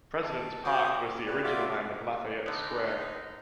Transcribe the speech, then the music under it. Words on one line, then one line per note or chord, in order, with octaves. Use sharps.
President's Park was the original name of Lafayette Square.
A5
F#4 G#4 C5 D6 D#6
D6
G4 B4 D5
F4 F#4 D5 E5 D6
D3 B3 D#4